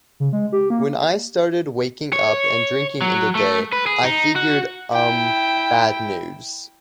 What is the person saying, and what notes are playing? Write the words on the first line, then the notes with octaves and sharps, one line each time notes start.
When I started waking up and drinking in the day, I figured-umm, bad news.
C#3
G#3
G4
A#3
C#5
F#3
A3
B4
G#4
D#4
F#4
E4 G5